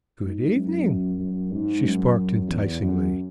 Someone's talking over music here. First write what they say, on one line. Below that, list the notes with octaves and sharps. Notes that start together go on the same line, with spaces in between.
"Good evening," she sparked enticingly.
G#2
F#2
F#2
G#2
F#2
E2
F#2